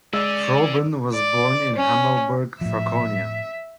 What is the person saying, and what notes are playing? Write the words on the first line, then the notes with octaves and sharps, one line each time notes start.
Froben was born in Hammelburg, Franconia.
G#3 C#4 G#4 D5 E6
D5
C#4
A2 F3 E5